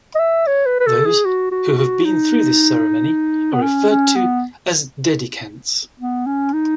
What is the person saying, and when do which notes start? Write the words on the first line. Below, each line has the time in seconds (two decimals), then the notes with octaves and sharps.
Those who have been through this ceremony are referred to as "Dedicants".
0.15 D#5
0.19 E5
0.47 C#5
0.66 B4
0.80 B4
0.86 A4
1.06 G#4
1.25 F#4
1.51 F#4
1.78 F#4
2.05 D#4
3.53 B3
3.62 C#4
3.90 C#4
4.16 B3
6.00 B3
6.26 C#4
6.53 D#4